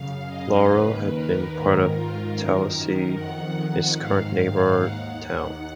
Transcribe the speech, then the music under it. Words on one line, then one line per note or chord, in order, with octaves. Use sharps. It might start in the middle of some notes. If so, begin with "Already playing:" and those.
Laurel had been part of Talisay, its current neighbor town.
Already playing: F#2 C#3 F5
D#5
D#2 D#3 B4
A#4
G#2 D#3
F4
F#2 D#3 A#4
F2 D#3 F#5
F#5
G#2 D#3 F5
D#2 D#3 F#5